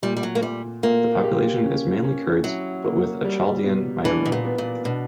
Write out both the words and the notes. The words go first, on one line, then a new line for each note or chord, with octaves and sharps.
The population is mainly Kurds, but with an Chaldean minority.
A#2 G3
G3
F#3
A#3
A#2 G3
A#2 A#3
G4
C#4
C#4
F#3 E4
A#3
G3
B2
E3 D4
B2
A#2
B3
A#2
B2 D4